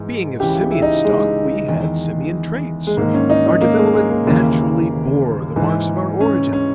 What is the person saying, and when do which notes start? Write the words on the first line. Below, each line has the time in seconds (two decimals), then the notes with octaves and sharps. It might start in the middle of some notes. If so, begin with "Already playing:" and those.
Being of simian stock, we had simian traits. Our development naturally bore the marks of our origin.
Already playing: G#2 E3
0.40 C#2 C#3 E3 G4
0.71 E4
0.82 D#4
1.05 G#3
1.68 E2 D#3
2.87 G#3
2.97 G#2 D#3 A#3
3.14 C#4
3.30 D#4
3.46 D#4
3.61 A#3
3.78 G#3
3.94 G#3
4.10 A#3
4.27 D#2 C#3 E3 A#3
5.56 G#2 E3
6.21 C#4
6.53 C#4